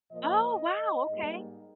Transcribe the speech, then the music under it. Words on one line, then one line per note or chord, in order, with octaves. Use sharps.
Oh, wow. Okay.
A#2 F3 A#3 D#5
G#2 G3 A#3